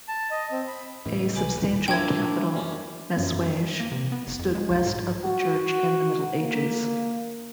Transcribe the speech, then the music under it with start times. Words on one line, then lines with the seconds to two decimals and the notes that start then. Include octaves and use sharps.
A substantial capital messuage stood west of the Church in the Middle Ages.
0.08 A5
0.31 D#5
0.51 C4
0.68 B5
1.06 C#2 A2 E3 C#4
1.36 C2 B4 G#5 D6
1.53 E1 D#2
1.88 F3 G3 A#3 D4 E4 G5 G#6
2.54 F#2 C#4 D4
3.16 F#2
3.80 A#3
3.92 C3
4.12 B3
4.27 F#1
4.39 F2
4.55 G#3
4.70 B1
4.87 G#2
5.24 F#4
6.39 A#3